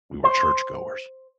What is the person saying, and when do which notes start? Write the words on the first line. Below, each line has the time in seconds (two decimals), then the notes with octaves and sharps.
we were churchgoers
0.24 C5